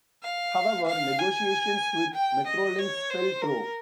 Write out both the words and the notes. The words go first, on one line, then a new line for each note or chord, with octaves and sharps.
However, negotiations with Metrolinx fell through.
F5
F5
G#5
G5
D#5
C#5
C5
A#4